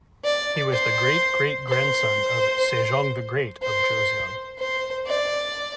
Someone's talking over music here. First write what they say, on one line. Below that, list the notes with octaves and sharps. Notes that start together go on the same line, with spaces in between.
He was the great-great-grandson of Sejong the Great of Joseon.
D5
C5
C5
C5
C5
D5